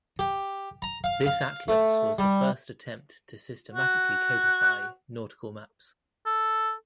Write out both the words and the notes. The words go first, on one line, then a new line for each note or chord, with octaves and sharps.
This atlas was the first attempt to systematically codify nautical maps.
G4
A#5
F5
F5
A3
G3
F#4
A4